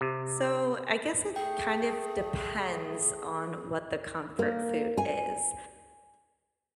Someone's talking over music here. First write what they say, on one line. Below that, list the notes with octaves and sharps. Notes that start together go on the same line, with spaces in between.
So, I guess it, kind of, depends on what the comfort food is,
C3
A3 G#4 G5
A#3
G#5